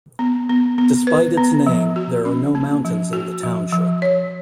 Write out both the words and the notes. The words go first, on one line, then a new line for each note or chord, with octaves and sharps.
Despite its name, there are no mountains in the township.
B3
B3
B3
B4
B3
F3
F#4
C#4
A#3
F3
F#4
F3
F3
C#5